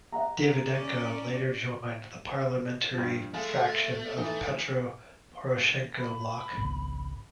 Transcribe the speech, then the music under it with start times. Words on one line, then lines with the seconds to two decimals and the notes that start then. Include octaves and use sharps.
Davydenko later joined the parliamentary faction of Petro Poroshenko Bloc.
0.12 D#5 F#5 A#5
0.68 C#4 D5
2.94 G2 F3
3.34 G#3 A3 F5
4.17 E3 D#4
5.98 B5
6.57 G#1 C#2